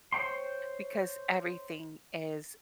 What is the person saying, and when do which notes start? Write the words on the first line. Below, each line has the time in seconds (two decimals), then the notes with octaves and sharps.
because everything is
0.13 C5 C#5 G5 C6